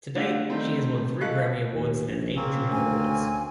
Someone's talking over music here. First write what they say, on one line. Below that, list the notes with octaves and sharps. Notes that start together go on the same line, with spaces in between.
To date, she has won three Grammy Awards and eight Juno Awards.
D3 A3 D4 F4
D#3 G3 A3 C4
G#3 F4 A4 C#6 F#6
D#2
A#1
C#3 A#3 C4 C#4
D2 G#5